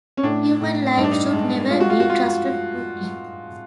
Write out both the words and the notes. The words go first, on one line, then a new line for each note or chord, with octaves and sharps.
Human life should never be trusted to it.
C#4
A2 D4
A2
G2 D#4
D4
D#4
G#3
G#3 F4
F#4
F4
F#4
F4